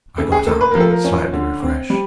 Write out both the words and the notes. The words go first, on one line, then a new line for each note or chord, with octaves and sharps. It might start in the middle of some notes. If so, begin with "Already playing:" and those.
I got up, slightly refreshed.
C#3 A4
G#4
A#3 A4
B4
F3 A#4
A4
A#4
C#4
D3
C4
G3